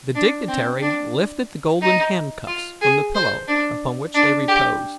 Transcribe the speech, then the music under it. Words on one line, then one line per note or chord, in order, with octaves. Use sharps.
The dignitary lifted the golden handcuffs from the pillow upon which they reposed.
D4
C4
D4
D#4
F4
G#4
C5
D4
D4
G4